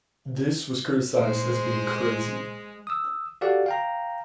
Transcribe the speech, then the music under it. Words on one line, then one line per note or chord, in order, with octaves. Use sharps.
This was criticised as being "crazy".
A#2 G#3 C5
D#6 E6
F#4 G4 A4 D5 F5 F#5
F5 G5 A#5